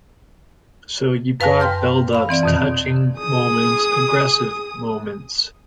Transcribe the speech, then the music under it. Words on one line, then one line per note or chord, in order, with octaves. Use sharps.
So you've got buildups, touching moments, aggressive moments.
F#2 B4 F5 G#5 A5 A#6
G5 C6 F6 G6
F5 B5
E3 C4 D5
F2 B2 D#3
G#4 D#6